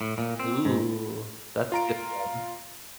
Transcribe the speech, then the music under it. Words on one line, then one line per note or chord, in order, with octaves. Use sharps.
Ooh, that's good one.
A2
A#2
C4
G#2
F4 A#5 D7